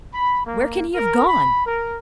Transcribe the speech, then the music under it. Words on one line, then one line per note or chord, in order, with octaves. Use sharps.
Where can he have gone?
B5
A#3
A#4
B5
A#4